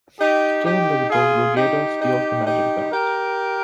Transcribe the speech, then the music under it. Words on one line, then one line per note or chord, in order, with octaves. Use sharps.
Still invisible, Ruggedo steals the magic belt.
D#4 G4
D#4 G4
F4 G#4
D#4 G4
D#4 G4
D#4 G4
G4 A#4